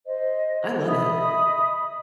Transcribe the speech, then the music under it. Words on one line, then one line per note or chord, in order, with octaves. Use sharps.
I love it.
C5 D#5
D#5 E5 B5 D#6